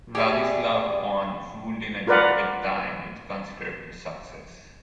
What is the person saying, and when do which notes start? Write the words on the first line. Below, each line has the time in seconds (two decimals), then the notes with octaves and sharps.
Vladislav I ruled in a difficult time with considerable success.
0.15 C#4 G4 G#4 D5 E5
2.07 F4 A#4 B4 D5 F#5